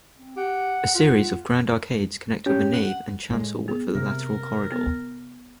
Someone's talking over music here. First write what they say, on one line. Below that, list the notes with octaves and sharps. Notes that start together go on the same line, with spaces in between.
A series of grand arcades connect the nave and chancel with the lateral corridor.
C4
G4 F#5
F4 F#5
C#4 G4
F#5
A2 G#3
B3 G#4
C3 A#4
B3